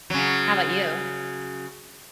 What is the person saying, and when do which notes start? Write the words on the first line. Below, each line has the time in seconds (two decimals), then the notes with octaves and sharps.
How 'bout you?
0.10 C#3 F#3